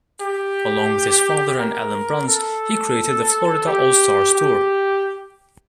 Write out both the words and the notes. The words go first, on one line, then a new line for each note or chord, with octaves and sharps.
Along with his father and Alan Bruns, he created the Florida All Stars Tour.
G4
A#4
A4
G4
G4